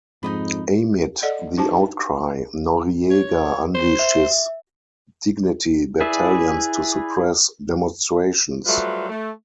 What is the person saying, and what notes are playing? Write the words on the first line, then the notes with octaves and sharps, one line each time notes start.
Amid the outcry, Noriega unleashed his Dignity Battalions to suppress demonstrations.
F2 G#2 D#4 D#5 B5
A4 D5 D#5 F#5
D4 D#4 F#4 G4 C5 A5
C#5
C5
E5
E4 G#4 B4 D5 E5
F#3 G3 A3 F4 B4 C5
A3